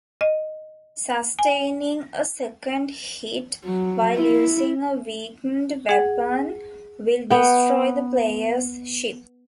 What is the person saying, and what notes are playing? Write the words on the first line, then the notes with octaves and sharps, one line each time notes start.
Sustaining a second hit while using a weakened weapon will destroy the player's ship.
D#5
G#5
F#3
E4
G#4 F#5
B3 G5